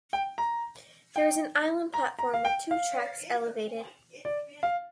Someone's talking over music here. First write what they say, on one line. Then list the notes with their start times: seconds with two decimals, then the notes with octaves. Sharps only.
There is an island platform with two tracks elevated.
0.13 G5
0.38 A#5
1.16 G5
1.94 A#5
2.19 A#5
2.34 F5
2.45 G5
2.71 F5
4.25 D5
4.63 F5